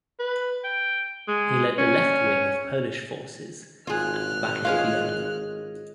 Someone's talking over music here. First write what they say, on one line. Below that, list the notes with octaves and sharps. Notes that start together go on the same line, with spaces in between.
He led the left wing of Polish forces at the Battle of Vienna.
B4
G5
G#3
C#4
G#1 F4 G#4 F6 F#6
G#3 C#4 F4 F5